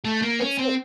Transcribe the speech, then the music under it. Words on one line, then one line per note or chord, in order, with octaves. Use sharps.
It's it
A3
A#3
C#4
C4